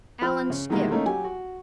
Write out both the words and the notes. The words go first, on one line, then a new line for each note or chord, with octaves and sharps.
Allan skipped.
F3 C4 B5 F6
C#3
B2 D#3 E3 G3 G#3 A#3
A3 A#3 C#4 D#4
F#3 G4 G#5
F#4